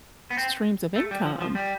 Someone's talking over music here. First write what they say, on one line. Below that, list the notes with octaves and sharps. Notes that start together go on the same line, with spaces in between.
streams of income,
B3
C4
A3
G3
F3
F3
G3